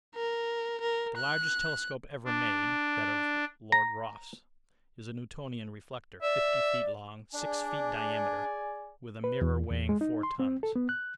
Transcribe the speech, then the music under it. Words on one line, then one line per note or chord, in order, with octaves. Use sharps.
The largest telescope ever made, that of Lord Rosse, is a Newtonian reflector, fifty feet long, six feet diameter, with a mirror weighing four tons.
A#4
A#4
F#6
D4
A#5
D5 E5
D4 G#4 D5 G#5
B4
E2
E2
G#3
D#4
C6
C4
A4
B3
F#6